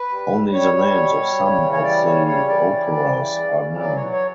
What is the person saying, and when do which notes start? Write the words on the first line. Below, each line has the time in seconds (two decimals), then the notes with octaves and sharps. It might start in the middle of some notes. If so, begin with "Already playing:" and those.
Only the names of some of the operas are known.
Already playing: B4
0.09 G3
0.30 G3
0.52 G3 C#5
0.74 G3
0.96 B2
1.18 G3
1.39 C#3
1.62 E3
1.72 C#5
1.83 G3 D5
2.05 C#3 C#5
2.27 G3 C#5
2.48 E3 D5
2.70 G3
2.92 E3
3.14 C#3
3.36 C#3
3.57 E3
3.79 F#3 D5
3.96 C#5
4.01 F#3
4.12 C#5